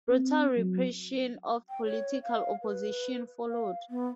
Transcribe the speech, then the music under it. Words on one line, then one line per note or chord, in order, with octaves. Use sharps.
Brutal repression of political opposition followed.
C4
F#3
G5
C#5
F5
B4
F5
B3